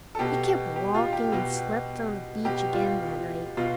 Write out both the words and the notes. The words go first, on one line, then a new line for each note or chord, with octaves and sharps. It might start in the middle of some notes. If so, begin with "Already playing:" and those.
He kept walking and slept on the beach again that night.
A4
B2 G4
G4
F4
G4
B2
B2 G4
F4
B2 F4